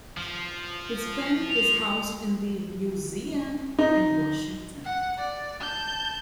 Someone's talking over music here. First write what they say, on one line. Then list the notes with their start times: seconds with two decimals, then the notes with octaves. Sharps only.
His pen is housed in the "Newseum" in Washington.
0.17 F3
1.48 F7
3.79 D#4
4.84 F#5
5.18 D5
5.60 A5 G6